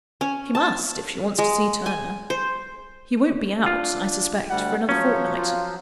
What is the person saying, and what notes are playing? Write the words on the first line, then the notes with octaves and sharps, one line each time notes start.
She must, if she wants to see Turner; he won't be out, I suspect, for another fortnight.
C#4
A5
G#3
G#5
C5
D4 F4
D2 G3 F#5
F3 F#3 C#4 C#5
F4